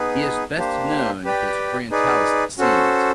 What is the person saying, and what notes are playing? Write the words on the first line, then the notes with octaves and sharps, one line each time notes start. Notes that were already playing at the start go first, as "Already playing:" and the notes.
He is best known his Orientalist scenes.
Already playing: B3 D#4 G#4 B4
A#3 D4 G4 C5
G4 B4 D5 G5
D#4 G#4 B4 D5
C#4 F#4 A4 C5